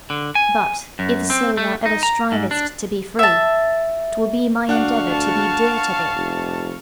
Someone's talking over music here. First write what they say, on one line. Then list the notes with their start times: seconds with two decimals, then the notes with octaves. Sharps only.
But, if so thou ever Strivest to be free, 'Twill be my endeavour To be dear to thee.
0.10 D3
0.35 G#5
0.99 F#2
1.30 C4
1.57 A3
1.86 D#4
2.03 A#5
2.32 G#2
2.51 D4
3.19 E5 A5
4.69 D2 D4 F5 F#5 C#6 F#6
5.11 A5
6.16 F1